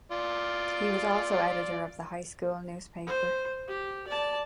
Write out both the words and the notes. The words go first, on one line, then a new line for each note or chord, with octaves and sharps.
He was also editor of the high school newspaper.
F4 D5
C5
G4
D5 A5